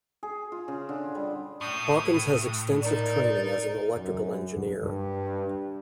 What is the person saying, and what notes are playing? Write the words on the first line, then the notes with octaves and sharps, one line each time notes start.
Hawkins has extensive training as an electrical engineer.
G#4
F4
C#3
D3
G3
A2 D#6
D#4 A#4 D5
F#2
G2